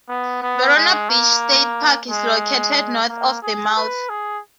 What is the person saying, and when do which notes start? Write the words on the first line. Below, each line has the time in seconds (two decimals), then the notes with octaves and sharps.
Verona Beach State Park is located north of the mouth.
0.09 B3
0.42 B3
0.76 G#3
1.09 A#3
2.09 G#3
3.09 A#3
3.42 G#4
3.77 B4
4.10 G#4